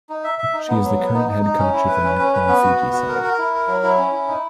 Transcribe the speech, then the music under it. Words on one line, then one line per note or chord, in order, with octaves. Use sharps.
She is the current head coach of the Netball Fiji side.
D#4
E5
E5
D#4
B3
F#3
B3
D#4
D#4
D#4
C#4
E4
B4
C#4
C#4
B4
B3
F#4
B3
F#4
A#4
A#4
E4
A#4
F#3
E4
C#4
E4
D#4